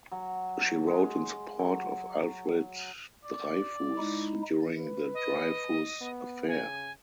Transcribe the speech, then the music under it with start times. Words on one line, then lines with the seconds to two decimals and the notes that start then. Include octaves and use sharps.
She wrote in support of Alfred Dreyfus during the Dreyfus affair.
0.12 F#3
0.88 G#3
1.59 F#3
3.25 D5
3.98 G#3 D#4 E4
4.78 B4
5.14 D#5
6.01 B3
6.48 C#3 G#5